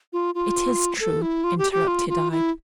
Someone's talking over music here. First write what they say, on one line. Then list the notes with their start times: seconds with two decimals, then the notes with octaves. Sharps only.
'It is true,' interrupted I.
0.13 F4
0.35 F4
1.00 A4
1.22 E4
1.44 F4
1.58 G4
1.72 G4
1.88 F4
2.09 F4
2.31 E4